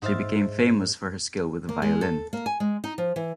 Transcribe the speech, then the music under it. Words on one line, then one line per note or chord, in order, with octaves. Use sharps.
She became famous for her skill with a violin.
G#2 D#4 C5 E5 F6 A6
A#3
G#3
A4
A#3
G#5
G#3
D#4
F3
E3